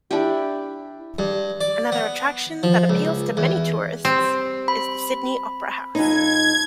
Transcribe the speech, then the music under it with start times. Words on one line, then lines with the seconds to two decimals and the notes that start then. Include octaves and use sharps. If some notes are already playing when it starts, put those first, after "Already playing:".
Another attraction that appeals to many tourists is the Sydney Opera House.
0.11 D4 E4 G4
1.19 G2
1.61 D5
1.92 B3
2.63 F3
2.89 C#2
3.37 E2
4.05 G3 C4
4.68 B5
5.95 F2 D#4 G#6